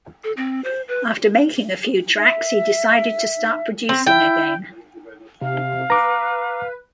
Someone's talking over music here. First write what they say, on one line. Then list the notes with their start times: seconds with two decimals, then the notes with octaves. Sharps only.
After making a few tracks, he decided to start producing again.
0.24 A4
0.37 C4
0.64 C5
0.88 B4
2.19 E5
3.89 C4
4.07 E4 G5
5.41 C3 F5
5.90 B4 A#5 D6